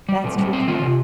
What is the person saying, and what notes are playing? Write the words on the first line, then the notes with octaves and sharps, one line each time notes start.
That's true too.
G3
B2
G3
C4
D#3 F4
C3